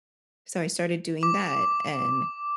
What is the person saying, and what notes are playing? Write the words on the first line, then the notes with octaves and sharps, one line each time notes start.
So I started doing that, and
D6